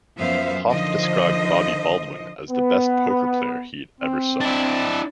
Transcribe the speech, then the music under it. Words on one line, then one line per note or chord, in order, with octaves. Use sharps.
Hoff described Bobby Baldwin as the best poker player he ever saw.
F#2 F3 B3 C5 E5 F5
D3 D#3 F3 C5 D#5
B3
C4
D4 E4